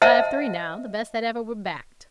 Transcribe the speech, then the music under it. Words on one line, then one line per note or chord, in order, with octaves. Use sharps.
I have three now, the best that ever were backed.
C5 D#5 E5 F#5 A5